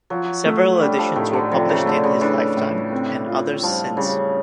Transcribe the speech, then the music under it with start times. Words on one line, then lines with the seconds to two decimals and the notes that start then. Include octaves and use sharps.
Several editions were published in his lifetime, and others since.
0.10 F3 F#3
0.46 A3
0.81 G3 D4
0.98 F3
1.16 A2 D#3
1.33 D3
1.51 C3 F3
1.69 C#3
1.86 D3 A3
2.04 C#3
2.21 E3 D4
2.57 A2
2.92 C4
3.27 F4
3.63 F3 G3
3.97 C#3 G3